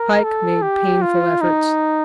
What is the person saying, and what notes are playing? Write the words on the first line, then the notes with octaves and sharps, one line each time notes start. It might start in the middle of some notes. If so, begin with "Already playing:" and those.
Pike made painful efforts.
Already playing: A#4
A4
G4
F4
D#4